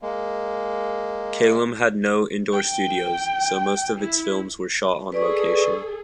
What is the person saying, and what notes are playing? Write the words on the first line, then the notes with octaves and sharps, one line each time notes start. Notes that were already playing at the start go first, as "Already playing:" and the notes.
Kalem had no indoor studios, so most of its films were shot on location.
G#3 A#3
G5
E4
G#4 A4 B4 D5 C#6